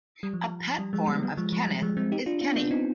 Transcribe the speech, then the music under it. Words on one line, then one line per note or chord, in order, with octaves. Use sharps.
A pet form of Kenneth is "Kenny".
G3
F3
G3
F3 G#3
G3 B3
G3 B3
F3 G#3
F3
G3
F3 G#3
G#3 C4
D#4 G4
D4 F4
D4 F4
B3 D4
C4 D#4